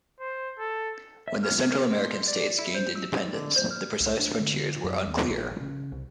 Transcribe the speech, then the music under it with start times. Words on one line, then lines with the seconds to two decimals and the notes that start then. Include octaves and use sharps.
When the Central American states gained independence, the precise frontiers were unclear.
0.20 C5
0.59 A4
1.28 E5
1.43 F6
1.72 A#4
1.91 C4
2.04 C6
2.28 D5
2.59 E4
2.75 C5
2.95 E6
3.33 D3
3.56 C5
3.71 F6
4.00 C2
4.19 D4
4.40 D3
4.84 F#2
5.07 D#2
5.30 A#1
5.61 C#3
5.92 C2